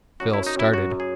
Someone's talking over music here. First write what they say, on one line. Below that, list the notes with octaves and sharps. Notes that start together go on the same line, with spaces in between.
Phil started.
F#2 F#4
E4
F#2
D#4
F#2 E4
F#2 F#4
F#2
G#4